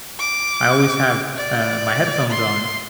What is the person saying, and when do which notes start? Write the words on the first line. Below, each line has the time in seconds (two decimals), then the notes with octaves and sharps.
I always have, uh, my headphones on,
0.19 D6
1.37 D5
2.31 C6